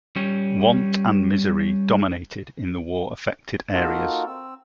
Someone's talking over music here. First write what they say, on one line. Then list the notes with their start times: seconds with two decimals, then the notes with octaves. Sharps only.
Want and misery dominated in the war-affected areas.
0.16 G3 C#4
3.73 A#3 D#4 F4 F#4 A4 A#4
4.26 C4 E6